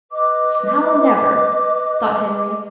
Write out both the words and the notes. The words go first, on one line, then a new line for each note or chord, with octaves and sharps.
"It's now or never," thought Henry.
B4 D#5 D6